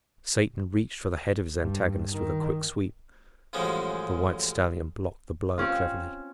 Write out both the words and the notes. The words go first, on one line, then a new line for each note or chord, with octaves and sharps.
Satan reached for the head of his antagonist with a quick sweep. The white stallion blocked the blow cleverly.
G2
D#3
A1 F#2 C#3 F3 G3 G#3
C4 C#4 F4